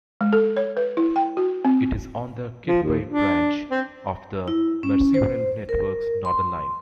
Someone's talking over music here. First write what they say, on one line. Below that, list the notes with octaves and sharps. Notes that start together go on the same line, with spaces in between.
It is on the Kirkby branch of the Merseyrail network's Northern Line.
G#3
A4
C#5
B4
E4
G5
F#4
C4
F3
D#2
D4
C4
E4
C#4
C5
A#4
C6